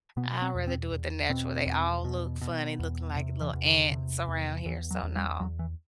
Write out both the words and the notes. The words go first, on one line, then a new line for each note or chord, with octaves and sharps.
I'd rather do it the natural they all look funny looking like little ants around here, so, no.
B2 B3
C4
E2
C4
E2
B2 C4
E2
B2
B2
E2
C3
E3
E2
D3
C3
E2
E2 E3
F#3
E2
G3
E2 F#3
E3